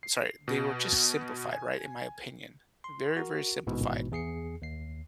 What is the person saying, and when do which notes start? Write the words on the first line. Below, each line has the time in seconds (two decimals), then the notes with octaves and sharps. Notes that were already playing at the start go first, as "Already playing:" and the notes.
sorry, they were just simplified, right, in my opinion. Very, very simplified,
0.03 C7
0.48 B2
1.53 G#5
2.84 C6
3.17 F#4 A#4
3.67 A1 G#2 B2 E3
4.12 E2 G#4 C7 C#7
4.62 D#2 C7